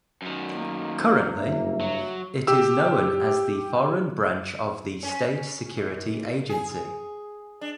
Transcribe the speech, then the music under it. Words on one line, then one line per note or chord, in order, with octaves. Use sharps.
Currently, it is known as the Foreign Branch of the State Security Agency.
F#2 D#3
A#3
F#1 G2 E5
F#3
G4 E6
C#4
D#2
G#4
D4